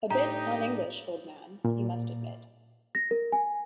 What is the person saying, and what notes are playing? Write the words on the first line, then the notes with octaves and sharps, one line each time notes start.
A bit un-English, old man, you must admit.
A2 D4 D#4 G4 D#5 A#5
A#2
A#6
A#4
G#5